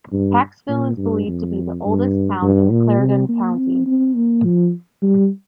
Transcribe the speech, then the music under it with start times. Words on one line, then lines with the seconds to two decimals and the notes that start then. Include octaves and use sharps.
Paxville is believed to be the oldest town in Clarendon County.
0.12 G2
0.69 A#2
0.97 G2
1.27 F2
1.85 G2
2.42 G2
2.71 A#2
2.99 C3
3.29 A#3
3.57 C4
3.86 C4
4.16 A#3
4.45 F3
5.02 G3